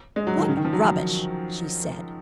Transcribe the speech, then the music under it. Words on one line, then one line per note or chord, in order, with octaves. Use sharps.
"What rubbish!" she said.
G#3
F#3
D#3
C#3
D#3
F3
F#3